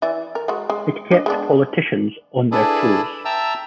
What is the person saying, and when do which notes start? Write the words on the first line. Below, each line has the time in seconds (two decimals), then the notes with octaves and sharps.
It kept politicians on their toes.
0.02 E3 D5 E5
0.35 A#4
0.48 G#3 F#4
0.70 G#3
1.11 D4 D#5
1.26 G#3 B3 D4
2.52 D4 E4 G#4 A4 B4 D5
3.25 E5 G5 A5 A#5 E6